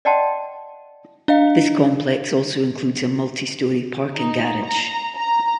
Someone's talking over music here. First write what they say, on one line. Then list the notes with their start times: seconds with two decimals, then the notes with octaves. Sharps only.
This complex also includes a multistory parking garage.
0.05 D5 D#5 F#5 G5 A5 C6
1.28 D4 D#5 F5
4.15 D#4
4.65 A#5
5.16 A#5